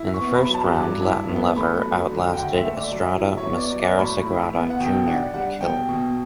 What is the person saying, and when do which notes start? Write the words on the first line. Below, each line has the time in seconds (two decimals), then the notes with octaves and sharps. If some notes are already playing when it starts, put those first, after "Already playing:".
In the first round Latin Lover outlasted Estrada, Mascara Sagrada, Junior and Killer.
Already playing: E4
0.14 C#6
0.21 B3
0.35 B5
0.48 F#3
0.54 A5
0.75 G2
1.02 E4
1.29 B3
1.56 A3 B5
1.83 F#3
2.10 D3
2.33 G5
2.37 D2 F#5
2.57 E5
2.63 A3
2.77 D5
2.91 F#3
2.97 E5
3.18 E4
3.38 C#5
3.46 B3
3.58 D5
3.71 F#3
3.79 D5
3.99 A2 B5
4.26 E4
4.53 B3
4.70 F#5
4.80 B2 G5
5.07 D4 F#5
5.34 G3 F#5
5.60 B2 G5
5.89 B2